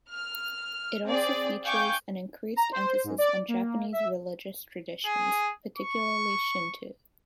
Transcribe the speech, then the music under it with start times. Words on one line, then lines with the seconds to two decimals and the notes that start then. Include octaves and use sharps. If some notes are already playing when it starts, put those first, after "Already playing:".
It also features an increased emphasis on Japanese religious traditions, particularly Shinto.
0.12 F6
1.06 C4 G#4 D5
1.64 F5 G5 G#5 C#6 D6 G6
2.56 A#5
2.72 C5
3.04 G#2
3.18 D5
3.48 A#3
3.93 E5
5.06 G#4
5.78 C#6